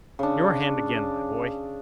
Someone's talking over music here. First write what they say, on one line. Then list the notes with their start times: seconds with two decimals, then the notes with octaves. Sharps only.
Your hand, again my boy!
0.19 C#3 D4